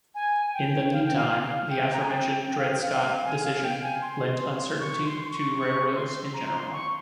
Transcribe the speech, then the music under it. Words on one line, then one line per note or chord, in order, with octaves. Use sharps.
In the meantime, the aforementioned Dred Scott decision lent uncertainty to railroads in general.
G#5
G#5
G5
F5
G5
F5
F5
G5
A#5
G#5
G5
G5
F5
F5
G#5
F5
G5
G#5
C6
C#6
C6
C6
C#6
C#6
C6
A#5
C6
C#6